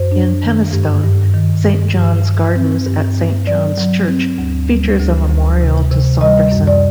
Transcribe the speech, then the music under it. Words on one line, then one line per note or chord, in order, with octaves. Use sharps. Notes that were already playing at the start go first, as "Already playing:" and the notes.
In Penistone, Saint John's Gardens at Saint John's Church features a memorial to Saunderson.
Already playing: F#2 C5
D4
D#3
G2
G2
D#3
G2
G2
G2
C4
G2
G2
F#3 D5
F#3
C4
D2
G3
D2
D2
C3
C3
G3 D#5
F#2
D5